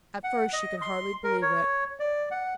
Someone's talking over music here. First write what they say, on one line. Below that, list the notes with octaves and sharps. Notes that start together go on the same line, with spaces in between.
At first she could hardly believe it.
F#5
D#5
C6
A#4
C#5
D5
F#5